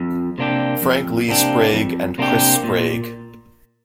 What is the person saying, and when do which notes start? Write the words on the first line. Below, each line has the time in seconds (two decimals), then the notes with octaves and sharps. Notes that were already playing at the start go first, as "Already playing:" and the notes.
Frank Lee Sprague and Chris Sprague.
Already playing: F2
0.38 C3 A#3 D4 G4
0.82 F2
1.28 C3 A#3 D4 G4
1.73 F2
2.18 C3 A#3 D4 G4
2.64 A#2